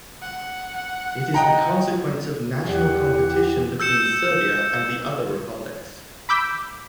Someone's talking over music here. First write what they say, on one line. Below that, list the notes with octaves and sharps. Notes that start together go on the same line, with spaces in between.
It is the consequence of national competition between Serbia and the other republics.
F#5
F#5
D#5 G5 A#5
E2 E4 G4 F#5
E6 G6 C#7 E7
B5 D6 E6 G6 B6